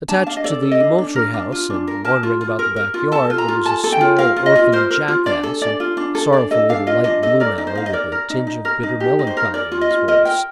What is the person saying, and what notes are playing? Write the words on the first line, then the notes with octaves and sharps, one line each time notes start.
Attached to the Moultrie House, and wandering about the back-yard, there was a small orphan jackass, a sorrowful little light-blue mammal, with a tinge of bitter melancholy in his voice.
D4 A5
D4 F5
D#5
A4 D5
A4
D#5
D4
D4
A#4
D4
F4
D4
A#4
A#4 A5
F4
F4
A#4
A#4
F4
A4 A5
F4
A#5
F4
A4 A5
A4
G5
F4
A#4 F5
F4
D#5
F4
A#4 C5
A#4
F4
D4 D5
A4
D4 D5
F4
D4
A4
D4 D5
A4 D#5
D4 F5
F4 D#5
D4 D#5
A4 D#5
A#4 D5
D#4
C5
D#4 F5
D#5
A#4 D5
A#4
D#4
D#4
A#4
D#4
G4
D#4
C5
A#4
A#4 D5
F4
D#5
F4
A#4 D#5
A#4 G5